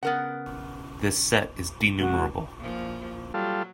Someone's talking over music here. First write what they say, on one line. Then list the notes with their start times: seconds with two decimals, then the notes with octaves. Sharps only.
This set is denumerable.
0.03 C#3 B3 A#4 F#5
1.99 A1 C3 G#3 F#4
2.58 A#2 F3
3.34 F#3 G3 F4 A4